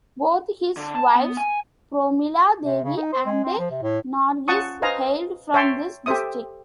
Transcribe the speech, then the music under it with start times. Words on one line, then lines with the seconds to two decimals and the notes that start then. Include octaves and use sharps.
Both his wives, Promila Devi and Nargis, hailed from this district.
0.77 D3
0.95 A5
1.15 B3
1.37 G#5
2.65 C3
2.84 C#3
2.97 D#4
3.13 C5
3.26 G#3
3.44 C4
3.58 F3
3.71 C3
3.82 A2
4.48 C#4 F4 F#5 A5 C#6 D#6
4.82 B4 C5 D#5 F5 G#5 A#5
5.54 C#5 E5 G5 A5 C6
6.06 G4 A4 C5 E5 D#6